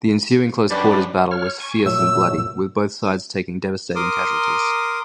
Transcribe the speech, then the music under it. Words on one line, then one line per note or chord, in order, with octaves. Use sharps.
The ensuing close-quarters battle was fierce and bloody, with both sides taking devastating casualties.
F#2 D4 G4 B4 D5
C#5 F6
G#5 C#6
A#2 F#3 A3 E6
A#2
A#4 C6 D6 D#6